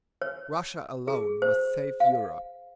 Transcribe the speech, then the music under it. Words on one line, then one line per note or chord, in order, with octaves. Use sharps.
Russia alone must save Europe.
C#5
G#4
C5
F5